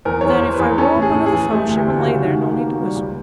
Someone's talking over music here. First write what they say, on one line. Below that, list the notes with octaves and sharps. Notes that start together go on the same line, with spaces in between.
'Then if I row up under the Fellowship and lay there, no need to whistle.
E2 A#4
E3 C#5
C5
E2
B4
E2
C#4 A4
A2
G#4
A2
G#4
E3
A3 G4
D2
G4
D2
F#4
C#3
D#3 F#4
A#3
G4
A#3
F#4
G3
C#2 G4